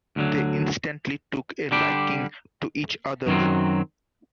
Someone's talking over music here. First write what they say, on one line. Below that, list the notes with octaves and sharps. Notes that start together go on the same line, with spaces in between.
They instantly took a liking to each other.
D2 D3 F#3
D3 G3 D4 G4
F#2 D#3 F#3 C4